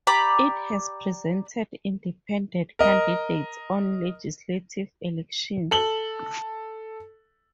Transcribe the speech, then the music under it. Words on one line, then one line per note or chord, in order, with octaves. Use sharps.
It has presented independent candidates on legislative elections.
G4 D5 A#5 B5
A#4 D#5
A4 F#7 G7